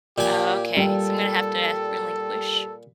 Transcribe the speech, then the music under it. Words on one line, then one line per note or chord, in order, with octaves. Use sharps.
Oh okay, so I'm gonna have to relinquish
A#2 G4 G#5
G3 A4